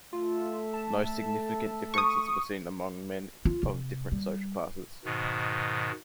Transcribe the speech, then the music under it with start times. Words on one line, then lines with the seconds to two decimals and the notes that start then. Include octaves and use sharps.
No significant differences were seen among men of different social classes.
0.13 A3 F4 A4 E5
0.74 A5
1.94 C#6 D#6
3.45 F4
3.63 C3
4.12 G3
5.05 G#2 B2 D#3